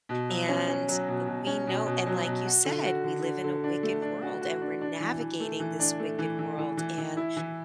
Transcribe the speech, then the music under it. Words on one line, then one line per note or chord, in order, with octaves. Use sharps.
and we know and like you said, we live in a wicked world and we're navigating this wicked world and
B2
F#3
C#4
C#4
F#3
B2
B2
C#4
B2
B2
F#3
B2
F#4
D3
F#4
D3
D3
D3
D4
A3
D4
F#4
F#4
D4
D4
E3
E3
A3
E3
D4
A3
E3
E3
E3
E3
E3
E4
E3